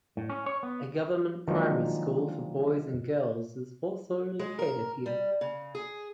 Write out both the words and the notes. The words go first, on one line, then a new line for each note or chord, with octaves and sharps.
A government Primary school for boys and girls is also located here.
A2
C#4
C#5
B3
D#3 F3 F#3 G#3 A#3 D4
G#3
A#4
G3
C#3
G#4